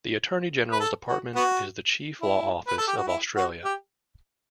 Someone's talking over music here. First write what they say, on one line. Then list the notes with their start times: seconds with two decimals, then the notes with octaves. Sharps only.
The Attorney-General's Department is the chief law office of Australia.
0.72 B4
0.80 A4
1.08 F#4
1.36 B3 F#4
2.21 E4
2.67 B4
2.78 A4
2.88 G4
2.97 F#4
3.07 E4
3.36 F#4
3.65 G4